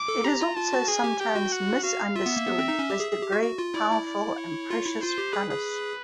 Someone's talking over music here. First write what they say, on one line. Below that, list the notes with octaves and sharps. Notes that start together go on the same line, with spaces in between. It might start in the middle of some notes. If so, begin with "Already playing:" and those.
It is also sometimes misunderstood as the "Great, Powerful, and Precious Palace".
Already playing: D6
A4
G4 A#5
F4
F4 A5
F#4
G#4 G#5
G4
G4 G5
F#4
F#5
F#4 F5
F4 E5
B3
A#3
B3
C4
D#4
C#4
G4
G#4
G#4
G4
F#4
F#4
F4
E4 D5
E4
D5
C#5
F4
E4
F4 C5
G4
G#4 B4
G#4